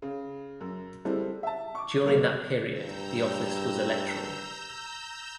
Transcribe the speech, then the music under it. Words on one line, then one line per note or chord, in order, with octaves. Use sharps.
During that period the office was electoral.
C#3
F#2
G3 G#3 C4 E4 A4
E5 A5
C#6 D6
G1 F#2 A3 A#3 F7
G2 A#5 E6 G6